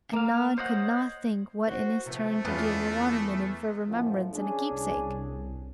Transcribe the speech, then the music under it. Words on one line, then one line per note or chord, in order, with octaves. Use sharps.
And Nod could not think what in his turn to give the Water-midden for a remembrance and a keepsake.
A#3 F5
C5 C#5 D#5 F#5
F#4 C5
C3 F3 A3 B3
E2 B3 C#4 F4
F#2 A2 F3
C#4 D4 G#4
C2